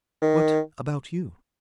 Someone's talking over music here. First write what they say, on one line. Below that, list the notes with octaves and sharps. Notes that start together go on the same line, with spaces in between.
What about you?
D#3